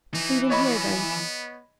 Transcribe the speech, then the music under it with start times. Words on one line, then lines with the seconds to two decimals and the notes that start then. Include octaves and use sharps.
'Feed him here, then.
0.14 E3 D#4
0.50 B3 C#5 D#5 B5